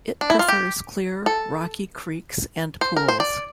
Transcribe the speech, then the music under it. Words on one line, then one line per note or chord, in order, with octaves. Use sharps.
It prefers clear, rocky creeks and pools.
D4
E4
F4
G4
A4
C5
A#4
C5
D5